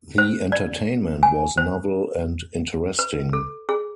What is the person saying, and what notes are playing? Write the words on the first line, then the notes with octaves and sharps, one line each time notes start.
The entertainment was novel and interesting.
C5
D5
G#5
C5
B4
A4
G#4